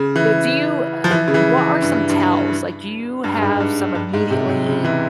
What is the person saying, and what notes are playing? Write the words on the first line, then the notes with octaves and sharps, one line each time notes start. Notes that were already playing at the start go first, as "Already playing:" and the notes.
uh, do you, uh what are some tells? Like, do you have some immediately
Already playing: C#3
E3
F3
E3
C#3
E3
E3
G2
G2
G2
G2
G#2
G2
G2
G#2
C3
C3
C#3
E3